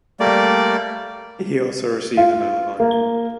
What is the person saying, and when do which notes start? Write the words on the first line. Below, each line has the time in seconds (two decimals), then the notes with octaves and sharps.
He also received the Medal of Honor.
0.20 G3 A3 A#3 D5
2.17 F4
2.80 A#3